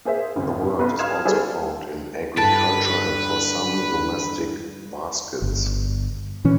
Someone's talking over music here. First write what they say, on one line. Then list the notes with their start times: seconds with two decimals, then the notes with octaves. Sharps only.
The word is also found in agriculture and for some domestic baskets.
0.05 A#3 G#4 C5 E5
0.36 G#1 C#2 F#2
0.62 F#2
0.79 B1 B3 B4 C6
0.99 F5 C6 D#6 F6 G#6 E7
1.25 G3 F#4 G#4 A4 C5 D5
2.37 G2 D3 B4 A5 A6 D7
5.42 G1
6.44 A#2 E3 C#4